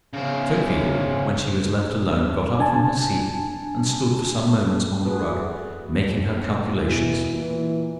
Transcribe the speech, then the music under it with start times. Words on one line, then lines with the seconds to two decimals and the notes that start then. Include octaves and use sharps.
Sophie, when she was left alone, got up from her seat, and stood for some moments on the rug, making her calculations.
0.13 C#3 C5
2.59 D4 G#5 A5
5.05 A3 F#4 G#4 B4
6.07 A#1
6.83 B2 E3
7.33 A#2 E3